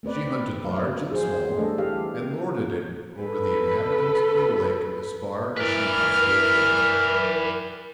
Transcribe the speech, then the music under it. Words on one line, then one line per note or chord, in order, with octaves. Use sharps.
She hunted large and small, and lorded it over the inhabitants of the lake as far as she possibly could.
A3 C4 B4 D5
F#3 F5
G#4 C5
E3 G3 A3 D4 A4 D#5
G4 F5
A4 B4
E3 A#4 B4 D5 F6